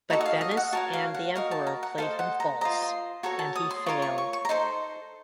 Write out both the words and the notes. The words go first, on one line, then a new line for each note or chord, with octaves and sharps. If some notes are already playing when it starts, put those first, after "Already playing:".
But Venice and the emperor played him false, and he failed.
D#4 F#4 A4 D#5 F#5
D#5
F5
D#5
F5
F#5
F#4 A#4 C#5 A5
F5
F#5
F#4 A#4 D#5 F5
A5
A#5
F#5
A4 C5 D#5 F5
F#5
A#5
F4 C5 D#5 A#5
C6
F#4 A4 C#5 A#5
A5
D#6
C6
F4 A#4 C#5 C#6
C#6
C#6
C#6
A#5
D#4 A4 C5 C6